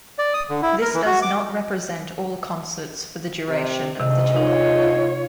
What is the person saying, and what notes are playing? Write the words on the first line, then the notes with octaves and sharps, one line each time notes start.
This does not represent all concerts for the duration of the tour.
D5
D#6
D3
E4
A#4
E3
F#4
D6
C3
D2 G#2 C3 D#5
D#4 F4 C#5